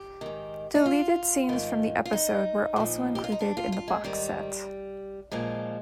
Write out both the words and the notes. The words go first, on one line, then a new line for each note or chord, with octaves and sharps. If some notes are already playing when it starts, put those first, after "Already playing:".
Deleted scenes from the episode were also included in the box set.
Already playing: G4
G#2 D#3
D#4
F4
G#2 D#3
F4
D#4
A#2 F3
G4
F4
D#4
D4
F4
F4
G#3
G#2 D#3 G3
A#2 F3 G#3